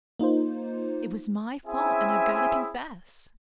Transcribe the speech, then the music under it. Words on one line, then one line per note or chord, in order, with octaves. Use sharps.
It was my fault and I've got to confess.
A#3 D#4 F4 C5
C4 C#4 E4 G#4 E5 G#5